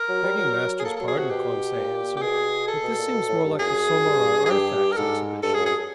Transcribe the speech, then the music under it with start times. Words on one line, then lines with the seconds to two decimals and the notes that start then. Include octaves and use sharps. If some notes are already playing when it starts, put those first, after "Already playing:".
"Begging master's pardon," Conseil answered, "but this seems more like the Sommerard artifacts exhibition!"
Already playing: A#4
0.09 F#3
0.23 G3
0.38 F#3
0.79 G#4
0.85 A#3 A4
0.96 F#3 A4
1.08 G#4
1.16 C3 F#4
1.30 B2 G4
1.76 A#2
2.17 G4
2.22 B2 G#4
2.68 A4
2.83 B2
2.99 A#2
3.14 B2
3.28 A2
3.44 G2
3.59 F#2 G#4
4.06 G2
4.46 G#4
4.51 G2 G4
4.92 A#4
4.97 G#2 A4
5.43 G2 A4
5.54 G#4
5.58 F#2
5.66 G#4